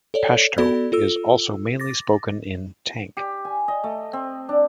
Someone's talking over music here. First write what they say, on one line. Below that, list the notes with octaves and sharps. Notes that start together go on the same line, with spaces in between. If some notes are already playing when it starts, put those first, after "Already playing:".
Pashto is also mainly spoken in Tank.
A4 C#5 D5
B3 F#4 A4 D5 B5 G#6
F4 A4 E6
D6 A6 A#6
G4
G#5
D#5
A3
C4
D4